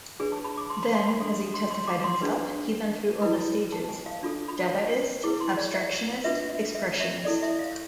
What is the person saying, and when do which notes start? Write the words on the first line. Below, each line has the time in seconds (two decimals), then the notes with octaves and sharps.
Then, as he testified himself, he went through all the stages: "Dadaist, Abstractionist, Expressionist".
0.20 D4 G#4 B4 G#5
0.32 A5
0.44 B5
0.58 D6
0.70 C6
0.83 B5
0.95 C6
1.07 B5
1.20 D4 A4 C5 C6
1.54 C6
1.71 C6
1.87 D6
2.04 C6
2.21 D4 G#4 B4
3.22 E4 B4 B5
3.72 A5
3.89 G#5
4.06 F5
4.23 D4 F4 A4
4.48 B5
5.24 E4 G#4 B4 D6
5.40 C6
5.57 D5
5.74 E5
6.24 D4 F4 B4 E5
6.50 E5
6.75 E5
7.00 E5
7.25 E4 A4 C5 D5
7.42 E5
7.59 F5